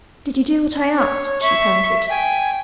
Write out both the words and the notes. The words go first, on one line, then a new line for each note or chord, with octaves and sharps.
"Did you do what I asked?" she panted.
C#5
E5 C#6
G5 G#5